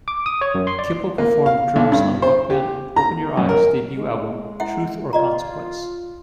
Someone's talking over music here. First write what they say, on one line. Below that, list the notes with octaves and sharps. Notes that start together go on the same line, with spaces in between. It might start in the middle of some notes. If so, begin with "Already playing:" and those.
Kippel performed Drums on rock band Open Your Eyes debut album "Truth or Consequence".
D6
D#6
C#5
F#2
C6
D5
A#3
F5
B1
G2
C5
G4
A#5
F#2
A#4
G#3
E4 E5 F#5
F4 D5 D#5 A#5